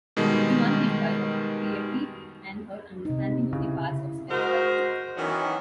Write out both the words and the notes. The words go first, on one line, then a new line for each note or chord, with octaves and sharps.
She won him by her piety and her understanding of the paths of spirituality.
B2 D#3 G3 G#3
C3 D#4
C#3 E4
G#3 F#4 A#4 C5
D#3 E3 F#3 B3 C#4